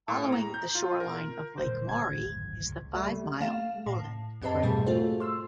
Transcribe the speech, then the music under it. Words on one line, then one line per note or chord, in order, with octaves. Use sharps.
Following the shoreline of Lake Maury is the five-mile Noland Trail.
A2
A#5
G6
F4
A#4
D#1 A2 D3 C5
G#6
D1 G#1 F#2
C#2
G3 A3
A3 F5 E7
A2
F2 C4 G4 B4 D#5 A5
G#2 B2 G3 A3 G#4
A3 F4 F#4 A4 C5
C6 E6